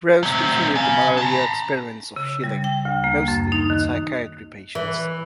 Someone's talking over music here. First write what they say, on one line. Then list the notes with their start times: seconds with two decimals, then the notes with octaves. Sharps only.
Rose continued the Malaria-experiments of Schilling, mostly with psychiatry patients.
0.23 F#3 C4
0.75 C#3
1.17 A5 A#5
2.16 C#3
2.44 G3
2.64 G5
2.85 D2
3.04 A#3
3.28 F#2
3.52 D#4
3.70 D#3
4.75 E3